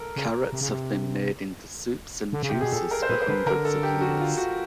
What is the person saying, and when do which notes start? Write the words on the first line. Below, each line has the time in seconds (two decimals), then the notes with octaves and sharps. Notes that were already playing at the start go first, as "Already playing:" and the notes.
Carrots have been made into soups and juices for hundreds of years.
Already playing: A4 A#4
0.16 C#3
0.52 C3
0.61 C#3
0.69 C3
2.33 D3
2.43 C#3
2.49 C3 G4
2.61 B2 G#4
2.72 A#2 A4
2.91 A#4
3.02 C5
3.09 A#2 B4
3.22 C5
3.28 D3 B4
3.46 D3 A#4
3.65 A4
3.83 G4
4.01 F#4
4.20 F4
4.38 F#4